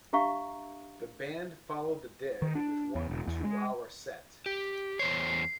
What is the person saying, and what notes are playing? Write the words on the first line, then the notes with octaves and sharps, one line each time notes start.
The Band followed the Dead with one two-hour set.
D4 G4 E5 F5 A#5 C#6
D#3
D4
E2
E1
E2
G#3
G4
E2 C5 C#5 C7